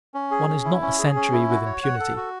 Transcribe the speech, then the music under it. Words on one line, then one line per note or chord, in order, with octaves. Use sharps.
One is not a century with impunity.
C#4
G#4
C#4
E4
C#4
G#4
C#4
E4
F#4
C#5
F#5
A4
F#4